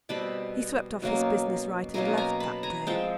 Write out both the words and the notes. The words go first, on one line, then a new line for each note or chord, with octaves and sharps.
He swept off his business right and left that day.
B2 G3 C4 A5 B5
B2 F#3 A#3 C#4
B2 F#3 A#3 C#4 G#5 A#5
G#5 A#5
A5 B5
G#5 A#5
F3 G#3 C4 G5 A5